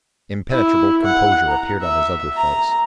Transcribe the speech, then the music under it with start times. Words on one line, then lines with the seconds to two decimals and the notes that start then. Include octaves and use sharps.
Impenetrable composure appeared on his ugly face.
0.50 E4
1.04 F#5
1.48 A#5
1.81 E5
2.36 A#5